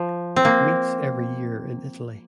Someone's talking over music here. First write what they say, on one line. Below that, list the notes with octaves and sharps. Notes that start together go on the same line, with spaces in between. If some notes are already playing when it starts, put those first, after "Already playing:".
It meets every year in Italy.
Already playing: F3
C4
A#3